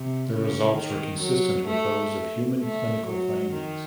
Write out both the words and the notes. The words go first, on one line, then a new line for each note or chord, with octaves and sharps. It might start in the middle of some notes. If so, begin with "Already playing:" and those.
The results were consistent with those of human clinical findings.
Already playing: C3
C#3
D#3
F#3
A3
A3
F#3
D#3